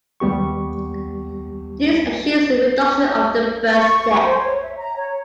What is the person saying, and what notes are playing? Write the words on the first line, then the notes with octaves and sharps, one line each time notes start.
This achieves the reduction of the first step.
D#2 G3 B3 G4 C#6
C#6
C5
C#5
E5
A#5
C#5